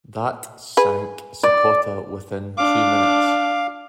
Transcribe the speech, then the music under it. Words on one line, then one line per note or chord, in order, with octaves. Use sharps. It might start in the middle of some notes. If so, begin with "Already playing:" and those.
That sank "Secota" within two minutes.
G#4 B4
D5
D4 F5 D6